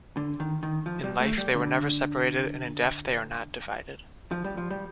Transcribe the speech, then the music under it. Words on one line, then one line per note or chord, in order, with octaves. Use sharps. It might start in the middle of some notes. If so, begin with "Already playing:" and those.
In life they were never separated and in death they are not divided.
D3
D#3
D#3
F3
G3
A3
G3
D3
F3
G3
F3
G3